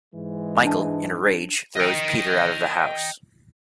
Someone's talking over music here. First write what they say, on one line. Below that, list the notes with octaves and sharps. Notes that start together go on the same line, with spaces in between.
Michael, in a rage, throws Peter out of the house.
G#2 E3 G#3
D4 A5
D#5 G5